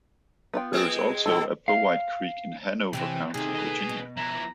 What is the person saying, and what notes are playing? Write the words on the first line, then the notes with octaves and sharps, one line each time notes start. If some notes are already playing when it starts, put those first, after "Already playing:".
There is also a Powhite Creek in Hanover County, Virginia.
B3 F4 G5
G#3 C4 G#4
G2 B2 A4
F5
C3 E3 C4 C#4 G5
C3 D#3 A3 G#4
B4 D#5
B2
F3 E4 A#5